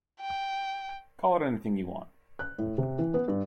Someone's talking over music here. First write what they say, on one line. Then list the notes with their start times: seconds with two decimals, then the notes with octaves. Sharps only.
Call it anything you want.
0.21 G5
2.39 F#6
2.58 A2
2.78 C3
2.99 E3
3.14 B3
3.28 G2